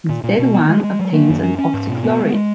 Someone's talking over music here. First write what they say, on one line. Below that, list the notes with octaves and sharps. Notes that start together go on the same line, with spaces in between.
Instead one obtains an oxychloride.
A#2
A#2
B2
B3
G#3
G#3
F#3
A#3
F#2
C#4
C#4
G#2
B2
B3
G#3
G#3